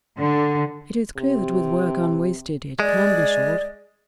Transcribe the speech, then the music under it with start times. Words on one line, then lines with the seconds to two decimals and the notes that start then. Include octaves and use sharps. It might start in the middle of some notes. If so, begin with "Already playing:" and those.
It is clear that with work unwasted it CAN be short.
0.18 D3
1.17 C3
2.80 G#3 D5